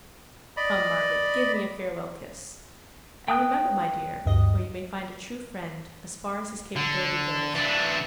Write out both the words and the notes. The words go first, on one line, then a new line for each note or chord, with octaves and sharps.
Come, Margaret, give me a farewell kiss; and remember, my dear, where you may find a true friend, as far as his capability goes.
D5 D#5 B5
G5 D#6 F#6
D2 G2 D#5
D3
E3 D4